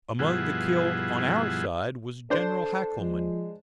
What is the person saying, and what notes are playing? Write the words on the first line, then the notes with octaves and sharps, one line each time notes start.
Among the killed on our side was General Hackelman.
G2 B2 F3 E4 G#4 F#5
D4 A4 C5
F3 G#3